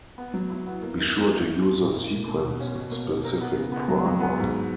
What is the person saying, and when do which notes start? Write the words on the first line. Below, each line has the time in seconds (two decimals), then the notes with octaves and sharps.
Be sure to use a sequence-specific primer.
0.18 B3
0.34 F#3
0.50 E4
0.67 B3
0.82 A#3
0.98 F#2
1.14 F#2
1.30 F#2
1.47 A#3
1.62 E4
1.79 A#2
1.95 A#3
2.12 B2
2.27 A#3
2.43 B2
2.60 C#4
2.75 B2
2.92 A#3
3.08 B2
3.25 A#4
3.41 B3
3.57 C#3
3.72 B3
3.88 F#3
4.05 F#3
4.20 B3
4.38 G#2